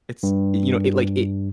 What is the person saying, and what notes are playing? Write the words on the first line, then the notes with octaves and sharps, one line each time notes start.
It's, you know, it, like, it
G2